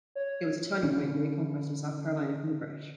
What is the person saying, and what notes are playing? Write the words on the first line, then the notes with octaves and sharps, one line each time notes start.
It was a turning point in the reconquest of South Carolina from the British.
C#5
D3 C#4